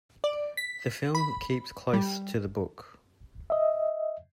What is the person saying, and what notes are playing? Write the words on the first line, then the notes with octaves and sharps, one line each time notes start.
The film keeps close to the book.
D5
B6
B5
G3
D#5 E5